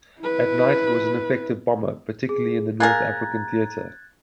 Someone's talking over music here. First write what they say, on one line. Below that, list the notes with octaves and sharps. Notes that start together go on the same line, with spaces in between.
At night it was an effective bomber, particularly in the North African theatre.
E4 B4
G#4
A#3 G#4 A#4 F#6 G#6 A6